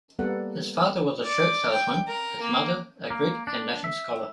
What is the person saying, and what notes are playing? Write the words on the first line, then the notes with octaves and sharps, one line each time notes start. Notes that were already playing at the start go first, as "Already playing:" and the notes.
His father was a shirt salesman, his mother a Greek and Latin scholar.
G3 A#3 B3 A4 F#5
D5
G5
A#4
A#3
A#3
D4
E5